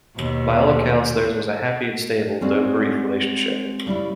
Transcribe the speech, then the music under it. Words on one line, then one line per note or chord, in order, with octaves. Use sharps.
By all accounts, theirs was a happy and stable, though brief, relationship.
D#2 B2
G3 G#3 C4 C#4 D#4 F#4
C#3 G3 C#4 E4